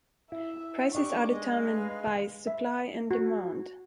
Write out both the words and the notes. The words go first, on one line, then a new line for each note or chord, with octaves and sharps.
Prices are determined by supply and demand.
E4 E5
D4 D#4 G4 C#6 D6
G#3 D#5
B4 F5
E5
F#4